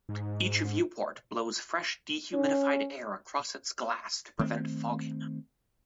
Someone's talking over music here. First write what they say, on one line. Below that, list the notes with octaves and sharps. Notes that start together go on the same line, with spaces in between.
Each viewport blows fresh dehumidified air across its glass to prevent fogging.
G#2
G#2
C#4
D#3 A3 C4